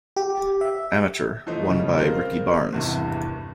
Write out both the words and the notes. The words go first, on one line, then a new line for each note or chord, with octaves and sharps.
Amateur won by Ricky Barnes.
G4
E5
E3 F3 A3 D#4 C5 D#5
C#3 F3 G3
C4 F4 G#4 A#4 C5
G#1 E2 G2 C3 E3 G3